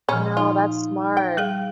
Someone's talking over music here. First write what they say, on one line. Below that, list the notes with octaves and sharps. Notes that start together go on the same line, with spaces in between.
No, that's smart.
A#2 F3 C#4
D#4 F4
G5
G3 G#4 F5